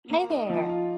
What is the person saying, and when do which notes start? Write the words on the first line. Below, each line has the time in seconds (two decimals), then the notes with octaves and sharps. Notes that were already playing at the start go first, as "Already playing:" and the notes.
Hey there.
0.10 A#3
0.30 D#4
0.50 F3
0.69 F4